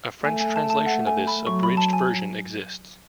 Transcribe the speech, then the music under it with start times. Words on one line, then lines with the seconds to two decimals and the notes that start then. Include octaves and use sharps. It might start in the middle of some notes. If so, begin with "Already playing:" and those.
A French translation of this abridged version exists.
0.25 A3 G#5
0.40 G#5
0.56 A5
0.70 A5
0.86 F#5
1.07 G#5
1.27 B5
1.47 F#3 C#6
1.63 B5
1.77 A5
1.93 G#5